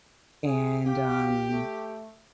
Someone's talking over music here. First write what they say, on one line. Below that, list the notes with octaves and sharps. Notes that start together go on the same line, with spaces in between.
and, um,
G#4
G4 F5
A3